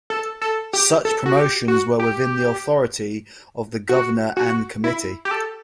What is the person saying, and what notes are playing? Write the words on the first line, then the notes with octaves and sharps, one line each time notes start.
Such promotions were within the authority of the Governor and Committee.
A4
A4
G4
A4
F#4
G4
F#4
G4
F#4
F#4
E4
G4
A4